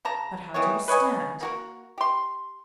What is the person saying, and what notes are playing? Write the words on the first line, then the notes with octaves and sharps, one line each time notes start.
But how do you stand?
C#3 A5 A#5
D#3 E3 B3 C#5
B4 C#5 D#5 G#5
A#3 F#4 A#4
G4 C6